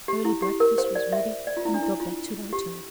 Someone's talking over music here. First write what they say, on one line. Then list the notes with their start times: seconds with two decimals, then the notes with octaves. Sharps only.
Early breakfast was ready when he got back to the hotel.
0.08 G4
0.25 E4
0.42 G4
0.60 A#4
0.78 C5
0.95 D5
1.12 E5
1.47 D5
1.57 F4
1.65 E4
1.74 D4
1.82 E4
2.00 F4
2.53 G4